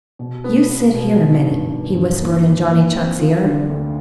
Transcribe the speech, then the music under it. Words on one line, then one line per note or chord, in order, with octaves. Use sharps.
"You sit here a minute," he whispered in Johnny Chuck's ear.
B2
B3
B3
B2
D#3
G2
G2
G2
D#2
D#2
D#2
C4
F3
D3
D2